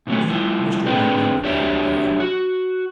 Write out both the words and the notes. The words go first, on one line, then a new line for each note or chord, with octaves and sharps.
Then Mr. Knightley began again.
A#2 C#3 F#3 A3 C#4
G3 E4 F4
D3 C4 G#4 B4 D5 G5
F#3 D4 G4 C#5 D5 E5
F#4